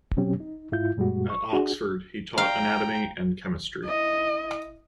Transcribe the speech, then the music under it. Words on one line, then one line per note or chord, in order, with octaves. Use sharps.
At Oxford, he taught anatomy and chemistry.
B2 F#3 C4 C#4 G4
D#4
G#2 E4 F4 G6
F#2 A#2 G3 G#3 F#4
C#6
D4 F#4 G#4
F5 G5 A#5
E4 D#5